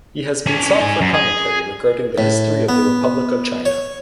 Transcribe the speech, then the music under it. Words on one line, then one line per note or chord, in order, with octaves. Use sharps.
He has been sought for commentary regarding the history of the Republic of China.
C#4 D4
D#4 G#5
F#2
G#4
A2
B3
C#5